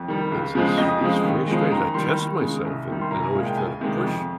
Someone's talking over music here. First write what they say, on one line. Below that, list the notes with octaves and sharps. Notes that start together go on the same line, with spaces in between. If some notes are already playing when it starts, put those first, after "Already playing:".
It's it's it's very strange. I test myself and and always try to push
Already playing: F2
D#3 G3
C#2
C#3 F3 G#3
F2 D#5
C#3 F3 G#3
D#2
C#3 F3 G#3
D#2 A#5
D#3 G3 C6
D#2
C#3 G#3
C2
C3 D#3 G3
C6
C2 A#5
G#5
A#2 G#3 F5
G5
C#2 G#5
C3 D#3 G#3
F2